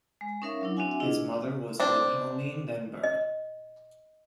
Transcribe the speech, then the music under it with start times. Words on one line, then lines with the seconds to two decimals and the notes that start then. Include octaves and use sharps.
His mother was Wilhelmine then Bergh.
0.21 G#3
0.42 C#4 D#4 A#4 C#5 E5 F5
0.61 F#3 D4 E4
0.77 C4 D4 F#4 E5 F#5 G#5
1.00 D4 E4 F4 G#4 D#5
1.80 C4 D4
3.03 D#5